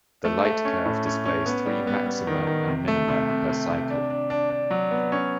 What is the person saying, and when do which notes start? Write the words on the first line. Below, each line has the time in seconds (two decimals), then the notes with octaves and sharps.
The light curve displays three maxima and minima per cycle.
0.25 A3
0.45 A3
0.65 C#4
0.85 A2
1.06 C#4
1.25 C#4
1.46 B3
1.66 G3
1.87 B3
2.06 B3
2.27 D#3
2.47 D#3
2.68 C3
2.88 A3
3.08 C3
3.29 C3
3.49 C3
3.70 C3
3.90 D4
4.10 D4
4.30 D4
4.50 D4
4.71 F#3
4.91 B3
5.12 C#4